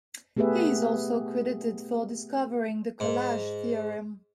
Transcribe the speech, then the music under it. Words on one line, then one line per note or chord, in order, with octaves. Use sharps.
He is also credited for discovering the Collage theorem.
A3 B3 G4 G#4 B4 E5
G#2